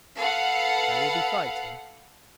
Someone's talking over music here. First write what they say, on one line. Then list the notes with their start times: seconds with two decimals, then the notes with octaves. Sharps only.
There will be fighting.
0.17 A4 B4 F5 F#5